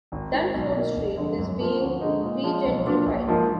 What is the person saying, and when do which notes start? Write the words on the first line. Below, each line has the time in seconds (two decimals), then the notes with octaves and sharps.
Durnford Street is being regentrified.
0.12 G#1
0.33 G#2 D#3
0.54 B1
0.76 B2 A#3
0.96 F1
1.17 F2 D3 G#3
1.38 F#2
1.59 F3 A#3 F4
1.80 D2
2.01 D3 G#3 D#4
2.23 A#2
2.44 F3 G#3
2.64 B1
2.85 A#2 F#3 D4 F4
3.06 A#1
3.28 G#2 F3 A#3